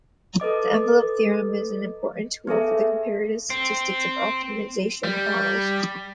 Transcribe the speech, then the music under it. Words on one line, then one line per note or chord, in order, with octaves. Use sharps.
The envelope theorem is an important tool for comparative statics of optimization models.
A4 B4 D#5 D6
B3 G#4 A4 E5
C4
G3